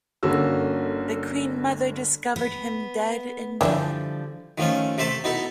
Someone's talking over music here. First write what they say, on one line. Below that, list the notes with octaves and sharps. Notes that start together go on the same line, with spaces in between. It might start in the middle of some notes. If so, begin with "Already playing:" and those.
The Queen Mother discovered him dead in bed.
G1 D3 A#3 C#4 F#4 E6
B3
D3 E3 F3 G3 D4
D#3 F3 A3 C#4 F4
C3 A3 C5 E5 A5
B2 D#4 E4 A4